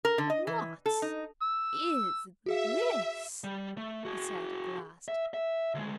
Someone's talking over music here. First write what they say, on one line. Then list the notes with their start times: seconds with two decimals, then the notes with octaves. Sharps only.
'What--is--this?' he said at last.
0.05 A#4
0.18 D3
0.30 D#5
0.47 E3
0.86 A4
1.02 D#4
1.42 E6
2.46 F#4 G#4 E5 F5
3.44 G3
3.77 A3
4.05 F#4 G#4
5.08 E5
5.34 E5
5.75 D2 G#3